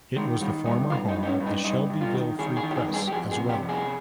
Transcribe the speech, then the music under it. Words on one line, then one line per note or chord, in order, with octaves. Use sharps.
It was the former home of the "Shelbyville Free Press" as well.
D#3 G#3
D#3 G3
G2 D#4
G2 F4
D#4
G2
D#4
C#4
G2
D#4
G2 D#4
G2
F4
D#3
D#3 G#4
G#4
D#3
G4
G#4
G2
G#4
G4
F2 G#4
G#4
C3
G4
F2
G#4